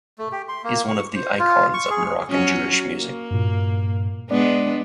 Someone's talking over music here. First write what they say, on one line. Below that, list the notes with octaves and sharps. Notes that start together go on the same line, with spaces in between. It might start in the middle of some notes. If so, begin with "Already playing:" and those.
He is one of the icons of Moroccan Jewish music.
A3
G4
C6
A#3
C#6
C5
F4
C#6
G#4
F#3 C#4 F#4
A#3
G2 A#2
G#3 B3 D4 D5